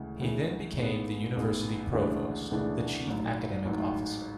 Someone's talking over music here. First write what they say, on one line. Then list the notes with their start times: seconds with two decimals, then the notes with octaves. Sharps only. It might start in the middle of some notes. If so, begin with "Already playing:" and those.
He then became the university provost, the chief academic officer.
Already playing: D2 C#3 E3 G#3
0.20 D2 C#3 E3 G#3
0.78 A1 G#2 G#3 B3
1.36 A1 G#2 G#3 B3
1.93 D2 C#3 E3 G#3 D4
2.51 D2 C#3 E3 G#3 D4
3.07 A1 G#2 F#3
3.65 A1 G#2 F#3